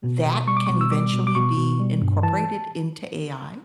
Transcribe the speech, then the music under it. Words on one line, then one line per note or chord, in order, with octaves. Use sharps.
that can eventually be incorporated into AI?
B2
B2
G3 C#6
D6
B2 C#6
E6
G3 D6
B2
D6
B2 C#6
B2
G3
G2
E3 A5